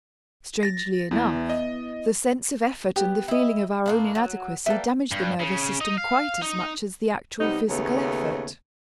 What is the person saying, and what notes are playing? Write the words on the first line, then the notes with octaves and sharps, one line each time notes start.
Strangely enough, the sense of effort and the feeling of our own inadequacy damage the nervous system quite as much as the actual physical effort.
A6 A#6
E2 B3 E4
D#5
B3 G4
E4 D#5
A2 A#3 D4
F#3
G3 A#3 A4 B4 E5
G2
C#3
D#4
F5
D#4
C3 G3 B3 D#4
D#2 C#3 A3 B3 C#5